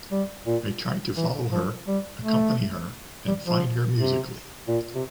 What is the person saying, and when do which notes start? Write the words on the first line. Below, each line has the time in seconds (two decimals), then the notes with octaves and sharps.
I tried to follow her, accompany her, and find her musically.
0.12 G3
0.47 A#2
1.16 E3
1.52 F3
1.87 G3
2.22 A3
3.28 G3
3.46 F3
3.98 C3
4.68 A#2
4.95 C3